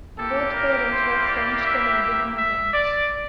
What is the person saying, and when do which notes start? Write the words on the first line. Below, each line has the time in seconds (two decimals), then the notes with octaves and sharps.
Both parents were French-Canadian immigrants.
0.18 A#3 E4 G4 A4
0.54 A#4
0.91 C5
1.28 D5
1.64 E5
2.37 E5
2.74 D5